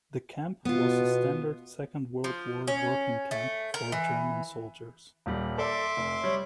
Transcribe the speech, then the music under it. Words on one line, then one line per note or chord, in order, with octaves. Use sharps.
The camp was a standard Second World War working camp for German soldiers.
B2 B3 F4
F3
C#4
A3
A#4
E3
D#1 G3
A4 D5 E5 C6 D6
F1
G3 C#5